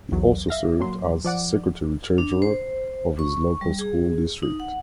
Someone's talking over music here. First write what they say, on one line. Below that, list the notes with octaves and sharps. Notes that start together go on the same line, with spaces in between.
He also served as Secretary-Treasurer of his local school district.
B1 E2 F#3
E5 F5 A#6
A#2 F#3 C6
F3 D5 F#5 D6
D4
C5
C#6
G3
G#4
D#4
F#5